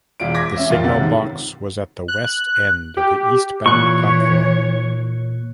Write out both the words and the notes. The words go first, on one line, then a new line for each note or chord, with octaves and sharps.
The signal box was at the west end of the eastbound platform.
E1 F4 D5 D7
D6 G#6 A#6 B6
C#4 E5
F2 A#2 F4 A6
C#2 C3 C#4 F#5
G#1 G#2
F#6
G4
A#2 E3 C#5 C#6 F#6